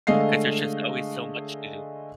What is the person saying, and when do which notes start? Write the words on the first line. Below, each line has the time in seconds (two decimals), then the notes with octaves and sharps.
'cause there's just always so much to do.
0.07 D3 G#3 A3 D#5 F5 C7